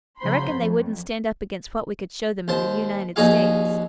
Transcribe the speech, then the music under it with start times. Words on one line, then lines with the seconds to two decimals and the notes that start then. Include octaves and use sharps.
I reckon they wouldn't stand up against what we could show them in the U-nited States.
0.19 C#3 F#3 C5 B5 C6
0.54 F2
2.48 D#2 C5 A5
3.16 A#1 D#2 D#4 F#4 G#4 F5